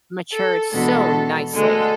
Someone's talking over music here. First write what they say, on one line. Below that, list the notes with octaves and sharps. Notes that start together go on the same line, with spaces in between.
matured so nicely.
A4
E2 B2 G#3 D4 A4
D2 D3 G#3 A4